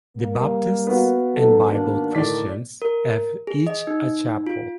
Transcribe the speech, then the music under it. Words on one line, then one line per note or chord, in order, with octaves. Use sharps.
The Baptists and Bible Christians have each a chapel.
G3 A#3
B3 F#4 F5
F#3 D#4 A4
D#3 A#3 D4
A2 D3 D#3 D5 B6
A#4
G#4
D#5
D#4
F4